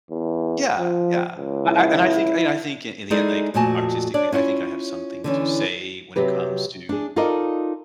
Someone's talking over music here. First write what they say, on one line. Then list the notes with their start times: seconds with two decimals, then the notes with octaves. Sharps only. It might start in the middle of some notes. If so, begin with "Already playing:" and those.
Yeah, yeah. I I and I think And I think in the end, like, artistically, I think I have something to say when it comes to,
0.11 E2
0.79 F3
1.37 C#2
1.67 E4
3.10 G#3 D#4 E4 G#4 A4 D5
3.54 F2 A#2 A3 F#4 G#5 A5
4.14 D4 C#5 D5
4.32 C#4 E4 F4 C#5
5.24 D3 E3 C#4
6.16 C3 F#3 G4 B4
6.89 D4 G#4
7.16 D#4 F4 A4 A#4 D5 D#5